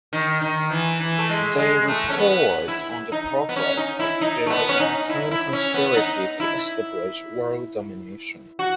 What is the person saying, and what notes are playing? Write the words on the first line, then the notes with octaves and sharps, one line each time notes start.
They report on the progress of their long-term conspiracy to establish world domination.
D#3
D#3
E3
E3
A3
G#3
G#3
A3
C#4
B3
E4
D#4
B3
C#4
D#4
E4
D#4
A3
B3
C#4
D#4
E4
E4
C#4
B3
D#4
E4
F#4